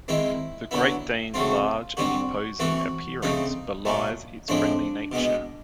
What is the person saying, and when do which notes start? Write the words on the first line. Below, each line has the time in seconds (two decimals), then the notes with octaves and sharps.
The Great Dane's large and imposing appearance belies its friendly nature.
0.08 D#3 G#3 C4 E4
0.71 D3 F#3 B3 E4
1.34 C#3 F#3 A3 C4 F4
1.97 D3 G3 C4 F#4
2.59 E3 A3 C4 F#4
3.22 C#3 F3 A3 C4 D#4
3.85 A#2 F#3 A3
4.49 A2 F3 G#3 C4 D4
5.12 B2 G#3 B3